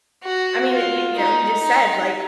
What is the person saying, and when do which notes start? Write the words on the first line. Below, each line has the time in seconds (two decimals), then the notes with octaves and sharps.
I mean, uh, you you know, you just said like, f
0.23 F#4
0.70 F4
1.15 D#4
1.61 D#4